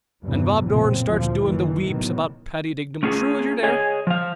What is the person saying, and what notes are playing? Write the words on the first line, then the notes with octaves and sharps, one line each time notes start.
And Bob Doran starts doing the weeps about Paddy Dignam, true as you're there.
E2 G2 C3 E3 F#3
B1 F#2 A#2 C#3 F3 C4
D2 A#2 F3
F#1 D#3 E3
A2 C3 D#3 E3 F#3 B3
A3 C#4 F4 G#4
G#4 C#5 D#5 G#5
F3 F5